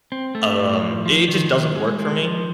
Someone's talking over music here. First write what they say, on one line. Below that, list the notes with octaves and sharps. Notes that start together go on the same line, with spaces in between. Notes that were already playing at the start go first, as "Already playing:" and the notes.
um i it just doesn't work for me.
C4
A3
A2
F3
F3
D#3
D#3
G#3
G#3
F3